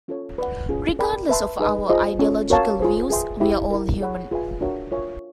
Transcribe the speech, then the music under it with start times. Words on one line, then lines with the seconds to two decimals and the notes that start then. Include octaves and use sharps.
Regardless of our ideological views, we are all human.
0.08 C#4 F4 A4 C#5
0.38 B4 D5 F#5
0.69 C#4 F4 G#4
0.99 A#4 D5 G5 B5
1.29 B4 E5 A5 C6
1.59 D#4 G#4 B4 D#5
1.89 F4 G#4 C5 D#5
2.19 C#4 F4 A4
2.50 F#4 A#4 C#5 F5 A5
2.80 F4 G#4 C5
3.10 G#4 B4 E5 G5 C6
3.40 E4 G4 C5 E5
3.70 E4 G4 A#4
4.00 G#4 C#5 F#5 B5
4.31 F4 G#4 B4 E5 G#5
4.61 D4 F#4 A#4 C#5 E5
4.91 F4 A#4 C#5 E5 G#5